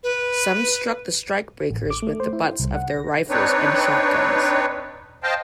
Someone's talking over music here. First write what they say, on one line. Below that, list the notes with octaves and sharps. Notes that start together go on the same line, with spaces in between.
Some struck the strikebreakers with the butts of their rifles and shotguns.
B4
A1
D6
A3
C5
E4
C5
C2
F#5
A#6
C4 D4 D#4 B4 C#5
C5 D#5 F5 G5 A5